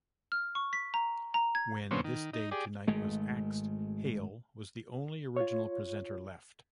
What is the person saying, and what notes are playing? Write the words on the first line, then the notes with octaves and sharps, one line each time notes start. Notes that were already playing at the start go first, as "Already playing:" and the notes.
When This Day Tonight was axed, Hale was the only original presenter left.
F6
C#6
B6
A#5
A#5
G#6
F#2 A#2 D3 B3 C#4 C5
D#3
D#4
G4 G#4 D5
G#1 G#3 A3
F4 C#5